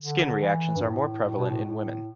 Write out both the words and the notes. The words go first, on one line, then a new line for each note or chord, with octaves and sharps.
Skin reactions are more prevalent in women.
D3
E3
G2
A2
A2
B2
A2
A2